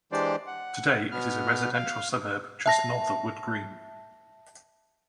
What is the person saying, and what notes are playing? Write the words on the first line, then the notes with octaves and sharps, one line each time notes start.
Today it is a residential suburb just north of Wood Green.
E3 G#3 D4 G4 C5 D5
F#5
B2 B3 F6
F5
E5 A5 A#6